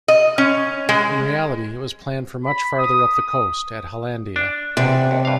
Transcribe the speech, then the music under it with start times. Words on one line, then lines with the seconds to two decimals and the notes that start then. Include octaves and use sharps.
In reality it was planned for much farther up the coast, at Hollandia.
0.08 D#5
0.38 C#4
0.89 G#3
2.46 B5
2.78 D#6
3.15 D#6
4.36 D4
4.77 E2 C3 D4
5.11 D#2
5.25 G2 F5